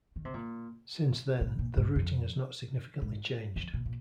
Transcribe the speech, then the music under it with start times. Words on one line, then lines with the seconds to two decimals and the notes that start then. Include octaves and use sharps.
Since then, the routing has not significantly changed.
0.16 D#3
0.25 C3
0.34 A#2
1.41 C3
1.59 A#2
1.77 G#2
1.96 F2
3.02 G#2
3.56 F2
3.74 A#2
3.86 A#2